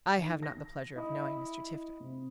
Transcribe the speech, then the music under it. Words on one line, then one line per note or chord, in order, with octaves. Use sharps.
"I have not the pleasure of knowing Mr. Tifto."
D#3 D#4
A#6
E4 D#5 E5 D#6
C3